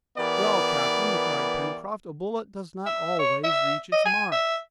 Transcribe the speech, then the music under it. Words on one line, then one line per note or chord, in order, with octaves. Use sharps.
"Well, captain," cried Pencroft, "a bullet does not always reach its mark."
E3 B3 G4 A#4 D5
E5
C#5
E5
D#5
G#5
E5